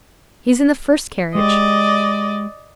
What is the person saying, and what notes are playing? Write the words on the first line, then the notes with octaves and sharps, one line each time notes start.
"He's in the first carriage."
G#3 G4 D5 D#5